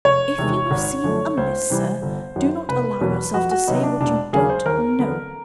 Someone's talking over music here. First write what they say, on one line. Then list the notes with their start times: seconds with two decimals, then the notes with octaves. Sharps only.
If you have seen amiss, sir, do not allow yourself to say what you don't know!
0.05 F1 C#5
0.38 E2 C3 D#3 G#3
0.71 G#1
1.04 F#2 D3 F3 A3
1.37 C#2 C5
1.70 C3 E3 G3
2.02 G1
2.36 F#2 D#3 F#3
2.69 F1 B4
3.01 E2 B2 F#3 A#3
3.34 F2 F#4
3.51 F#4
3.67 C3 D#3 F#3 B3 D#4
3.83 D4
4.01 E1 D4
4.33 D#2 C#3 F#3 A#3 G#4
4.50 C5
4.65 D#2 A#4
4.99 D3 F#3 B3